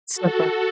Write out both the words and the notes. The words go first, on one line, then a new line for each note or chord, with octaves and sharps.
So far.
F#4 A4